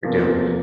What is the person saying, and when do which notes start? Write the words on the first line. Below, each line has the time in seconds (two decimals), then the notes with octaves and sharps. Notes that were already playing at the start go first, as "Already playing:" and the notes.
We do.
0.04 E2 C3 F3 A#3